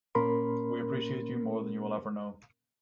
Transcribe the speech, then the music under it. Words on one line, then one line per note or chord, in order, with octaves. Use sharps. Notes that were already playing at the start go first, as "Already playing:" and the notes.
We appreciate you more than you will ever know.
A#2 A#3 C#4 A#4 B5 C6